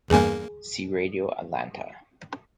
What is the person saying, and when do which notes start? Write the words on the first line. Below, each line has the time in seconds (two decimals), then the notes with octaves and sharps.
See Radio Atlanta.
0.10 E2 G2 A#3 G#4 G#5